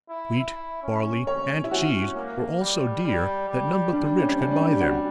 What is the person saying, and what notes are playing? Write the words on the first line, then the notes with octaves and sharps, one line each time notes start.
Wheat, barley and cheese were all so dear that none but the rich could buy them.
E4
E4
C#4
C#4 C#5
E4
C#4 F#4
A#3
G3
G3
G3
G3 D4
C#4
D4
C#4
D4
G4
F#4